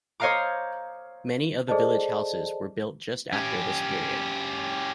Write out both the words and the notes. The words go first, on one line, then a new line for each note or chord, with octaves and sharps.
Many of the village houses were built just after this period.
C5 C#5 D#5 F5 A#5 D6
G#4 A4 C5 D5 D#5 A5
C#4 G4